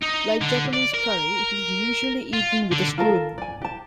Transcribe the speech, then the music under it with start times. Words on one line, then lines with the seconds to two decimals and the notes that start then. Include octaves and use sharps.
Like Japanese curry, it is usually eaten with a spoon.
0.03 D#4
0.41 D3
0.74 D5
0.94 A#4
2.33 F4
2.72 D3
2.98 F4 A4 A#4 A5
3.38 D5 G#5
3.62 G4 A5